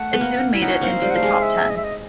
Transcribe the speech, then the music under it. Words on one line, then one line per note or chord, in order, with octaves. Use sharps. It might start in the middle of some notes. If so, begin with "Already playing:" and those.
It soon made it into the top ten.
Already playing: A3 F#5
B3
A#3
E4
C#4 D#4 F#5
A#3 C4
F5
G3
F#5
A3 F5
G#3
E5
D#5
E5
D#5